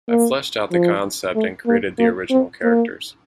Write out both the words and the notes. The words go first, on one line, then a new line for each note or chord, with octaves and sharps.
I fleshed out the concept and created the original characters.
A#3
F3
A3
A#3
A#3
C4
A#3